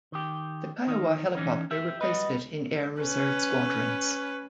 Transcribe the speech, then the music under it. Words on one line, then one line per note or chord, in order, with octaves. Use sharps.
The Kiowa helicopter replaced it in Air Reserve squadrons.
D#3 G4
D#3 D#4
E3 C#4 D#4
G4 E5
G3 F#4 B4 D#5
C#4 B4